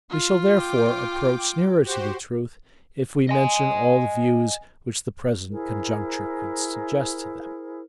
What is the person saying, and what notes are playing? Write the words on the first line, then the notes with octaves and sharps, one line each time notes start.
We shall, therefore, approach nearer to the truth, if we mention all the views which the present conjuncture could suggest to them.
F4
G5 D6
F#4 G4 C5
D#5 G#5
E4 G#4 A#4 C5